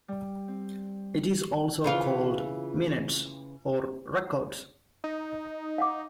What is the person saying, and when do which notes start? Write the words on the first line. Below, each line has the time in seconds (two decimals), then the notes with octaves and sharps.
It is also called minutes or records.
0.08 G3
0.48 C4
1.84 C#3 E3 F4
5.04 D#4
5.78 F5 F#5 D6